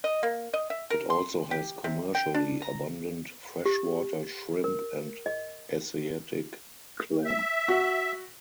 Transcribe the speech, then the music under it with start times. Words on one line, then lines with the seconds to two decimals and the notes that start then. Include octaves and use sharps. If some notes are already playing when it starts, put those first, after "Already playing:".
It also has commercially abundant freshwater shrimp and Asiatic clam.
0.04 D#5
0.23 A#3
0.54 D#5
0.70 E5
0.90 A#4
1.10 C6
1.51 G4
1.84 C3
2.15 G5
2.34 D4
2.62 A#5
3.66 G4
4.64 A#4
5.26 D#5
7.25 E5
7.68 F#4